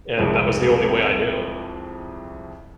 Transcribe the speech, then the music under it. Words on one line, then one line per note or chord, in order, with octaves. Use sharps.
and that was the only way I knew.
C2 F2 G#3 C4